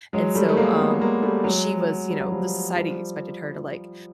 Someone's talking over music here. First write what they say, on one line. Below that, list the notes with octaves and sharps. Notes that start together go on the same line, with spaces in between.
And so, um, she was, you know the society expected her to, like,
F#3 G#3
G3 A3
A3
G#3 A#3
A3 B3
G#3 A#3
G3 A3
F#3 G#3
G3
F#3
F3 G3
F3 G3